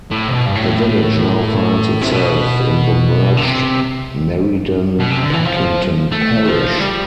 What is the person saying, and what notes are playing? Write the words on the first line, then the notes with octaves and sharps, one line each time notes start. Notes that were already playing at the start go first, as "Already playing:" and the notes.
The village now finds itself in the merged Meriden-Packington parish.
A2
C3
B2
G2
A2
C3
B2
D3
C3
B2
C3
D3
E3
F3
A3
F3
G3